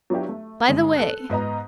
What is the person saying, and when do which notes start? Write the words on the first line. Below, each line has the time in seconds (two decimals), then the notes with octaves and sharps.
"By the way!"
0.10 F#3 B3 D4 E4 F4 G4
0.29 A3
0.68 G2 D3 G#3
0.97 A4 F#6
1.30 G#2 B3 D#5 A#5